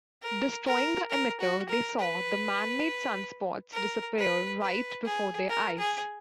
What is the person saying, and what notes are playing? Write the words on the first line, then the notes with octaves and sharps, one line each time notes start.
Destroying the emitter, they saw the man-made sunspots disappear right before their eyes.
A#4
A#4
A#4
F#4
A#4
B4
A#4
B4
B4
G#4
A#4
G#4